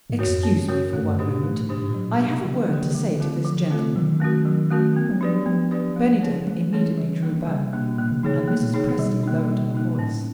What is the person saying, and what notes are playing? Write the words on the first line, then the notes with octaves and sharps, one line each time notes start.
"Excuse me for one moment; I have a word to say to this gentleman." Bennydeck immediately drew back, and Mrs. Presty lowered her voice.
G#2
F#4 A#4 C#5
F2
F#2 C#4
F#4 A#4 C#5
F#2 A3
G2
G#2 D4 G4 C5
B2
G#2 A3
G#2
D4 G4 C5
G#2
A#2
A2 F#3
A#2
B2 A#3 D4 G4 A#4
C3
C3 F#3
D3
D3 A#3 D4 G4 A#4
C#3
D3 F3
A3 C4 F4 A4
F3
A3 C4 F4 A4
D#3 F#3
A3 C#4 F#4 A#4
F#3
A3 C#4 F#4 A#4
B3
F#3
F3 D4 G4 B4 D5
F#3
F3 B3
D4 G4 B4 D5
A3
C#4 E4 G#4 C#5
E3 A3
C#4 E4 G#4 C#5
G3
A#3 D4
C#3 G3
C3
A#3 D4
B2
A#2 A#3
C3
C#3 D#4 G#4 C#5
C3
A#3
A#2
B2 D#4 G#4 C#5
B2
B2 G3
A#3 D#4
G3
A#3 D#4
A2 C#4